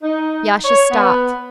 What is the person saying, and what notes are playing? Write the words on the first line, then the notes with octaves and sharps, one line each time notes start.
Yasha stopped.
D#4
C#5
B3